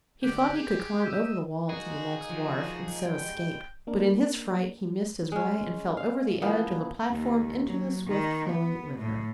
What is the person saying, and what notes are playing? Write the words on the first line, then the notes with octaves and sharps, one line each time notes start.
He thought he could climb over the wall to the next wharf and so escape, but in his fright he missed his way and fell over the edge of the platform into the swift-flowing river.
D3 G4 F#5 D6
G#4
D#5 E5
G#3 A#3 D#4 F#4 G#4
F3 F#4
G2 B2 G#3 G5
A#3 D4 A#4
G#3 C#4
F5
E3 F3 A#3 B3
D#2
F#3
D#3
B3
A2